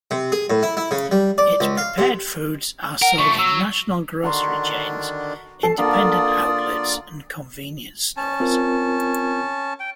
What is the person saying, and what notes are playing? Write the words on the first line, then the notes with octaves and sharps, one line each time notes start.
Its prepared foods are sold in national grocery chains, independent outlets, and convenience stores.
C3
G#4
A2
E4
E4
C#3
G3
D5
C#2
F5
C3
A#4 F#5
F3 A3 C#6
F#3 E6
D3 D#3 D4 F#4 A#5 C6
A4 A5 C7
D3 A#3 F4 D5 D#6
C#4 A5
C4 F4 A#4
G5